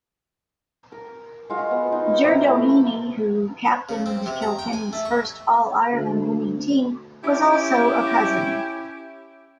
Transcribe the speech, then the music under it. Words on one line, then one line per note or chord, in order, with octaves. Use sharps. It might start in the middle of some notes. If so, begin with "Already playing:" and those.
Jer Doheny, who captained Kilkenny's first All-Ireland winning team, was also a cousin.
A#4
G#3 F4 F#4
B3
D#4
C3 A#5 D6
A3 E4 B4
C#3
C4
C3
A#5
G5
G#5
A3
C#6
D2
C#4 E4 G4